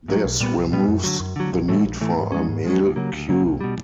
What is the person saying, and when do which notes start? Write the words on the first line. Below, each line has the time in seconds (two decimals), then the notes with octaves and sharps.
This removes the need for a mail queue.
0.08 A2 F#3
0.24 B1
0.40 A#2 G3 B3
0.56 B1
0.72 A#2 G3 B3
0.88 F#2
1.04 D3 F#3
1.20 F#2
1.36 D3 F#3
1.52 A#1
1.68 A2 E3 A3
1.84 A#1
2.01 A2 E3 A3
2.17 G#2
2.32 F3 G#3 C#4
2.49 G#2
2.65 F3 G#3 C#4
2.80 D2
2.96 C#3 F#3 A#3
3.13 D2
3.29 C#3 F#3 A#3
3.44 C2
3.61 B2 G3